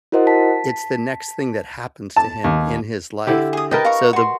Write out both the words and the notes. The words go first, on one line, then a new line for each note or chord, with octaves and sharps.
it's the next thing that happens to him in his life. So the
E4 F#4 A#4 C5 D#5 F#5
A5 B6
A5
D#2
D3 E4 G4
G#4 D#6
A#4 B4 D#5 G5 A5
F5 A#5 C#6
F#4 C6